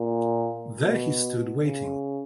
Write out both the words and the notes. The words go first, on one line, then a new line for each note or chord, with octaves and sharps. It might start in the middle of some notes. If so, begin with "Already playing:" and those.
There he stood, waiting.
Already playing: A#2
B2
C#3